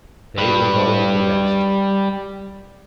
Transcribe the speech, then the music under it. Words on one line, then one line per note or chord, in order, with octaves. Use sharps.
They will go with the rest.
G3 B4